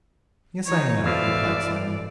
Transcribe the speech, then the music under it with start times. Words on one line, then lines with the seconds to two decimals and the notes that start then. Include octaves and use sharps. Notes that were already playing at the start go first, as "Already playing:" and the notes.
'Yes, I am,' replied Simon.
0.66 E3 D#4 C#5
1.04 A1 B2 F3 D5 E5 F5